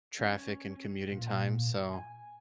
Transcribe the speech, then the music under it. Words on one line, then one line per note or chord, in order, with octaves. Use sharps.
traffic and commuting time, so
C#4
A#2
G#5